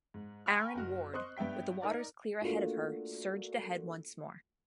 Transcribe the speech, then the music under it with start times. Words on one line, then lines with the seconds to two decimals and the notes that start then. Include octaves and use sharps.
"Aaron Ward", with the waters clear ahead of her, surged ahead once more.
0.14 G#2
0.46 G5 G#5 A#5 B5 C#6 F6
0.75 F#1 F#4 F6
1.13 C5 D#5 C6 C#6 D#6 F#6
1.37 G2 B3 E5 G5 B6
1.81 D#4 A#4 D5 A#5
2.42 A3 A#3 D4 F4 F#4